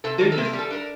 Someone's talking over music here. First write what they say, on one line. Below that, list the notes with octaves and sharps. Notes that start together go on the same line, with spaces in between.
They're just
C3 A4
D#3 A#4
A4
C3
A#4
G3
A4
D4 A#4